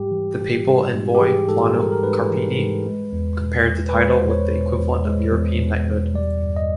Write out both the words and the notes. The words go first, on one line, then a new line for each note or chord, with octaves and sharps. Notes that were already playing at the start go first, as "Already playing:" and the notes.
The Papal envoy Plano Carpini compared the title with the equivalent of European Knighthood.
Already playing: G#2 G3 G4
E3
G#2
G3
G#2
G4
E3 G#4
G#2 A4
G3 A#4
A#4
G#2 B4
E3
G#2
G#3
E2
B2
E2
B4
G#3
C5
E2
C#5
B2
E2
G#3
E2
B2
E2
G3 D5
G2
D#5